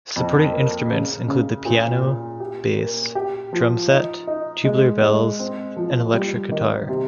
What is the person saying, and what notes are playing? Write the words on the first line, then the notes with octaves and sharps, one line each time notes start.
Supporting instruments include the piano, bass, drum set, tubular bells, and electric guitar.
F2
A#3
C#3
C#3
A#2
A#2
G4
A#3
G4
F3
D#4
D#4
G#3
G#3
C4
F3
G3
D#3
C3